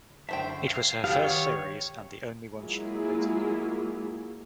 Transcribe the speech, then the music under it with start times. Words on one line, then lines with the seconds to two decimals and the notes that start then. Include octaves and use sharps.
It was her first series and the only one she completed.
0.29 F#2 D3 A3 C5 E5 G5
0.68 F5
1.04 B3 D4 G4 A4 C5 F5
1.24 D#3 C#5
2.55 F#3 G#3 A#3 E4 F4 G#4